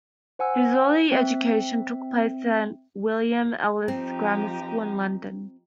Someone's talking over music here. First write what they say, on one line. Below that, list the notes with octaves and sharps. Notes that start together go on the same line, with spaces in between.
His early education took place at William Ellis Grammar School in London.
C5 F#5 G#5 E6
C4 E5
F3 C4 D#4 G4